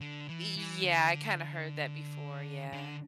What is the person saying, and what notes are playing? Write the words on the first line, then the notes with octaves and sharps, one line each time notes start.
Y yeah, I kinda heard that before, yeah.
D3
E3
E3
D3
D3